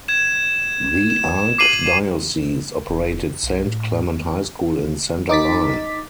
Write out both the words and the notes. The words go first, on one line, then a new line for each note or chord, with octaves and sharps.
The archdiocese operated Saint Clement High School in Center Line.
G#6 E7
E7
D6 C7 D#7 F#7
E1
B1
A2
D#4 D6 A6 B6